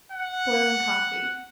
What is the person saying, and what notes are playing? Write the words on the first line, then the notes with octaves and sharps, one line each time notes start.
Boiling Coffee.
F#5